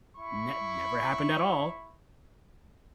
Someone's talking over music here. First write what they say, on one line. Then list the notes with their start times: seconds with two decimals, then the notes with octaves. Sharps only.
ne never happened at all,
0.17 E4 B5 C#6